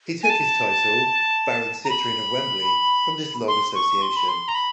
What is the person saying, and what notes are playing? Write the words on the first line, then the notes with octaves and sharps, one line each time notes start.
He took his title, Baron Citrine of Wembley from this long association.
G#5
A5
A#5
B5
C6
C#6
C6
B5
C6
A#5
B5